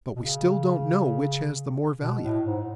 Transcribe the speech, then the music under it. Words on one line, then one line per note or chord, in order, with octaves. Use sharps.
But we still don't know which has the more value.
B2
C#3
B2
A2
G#2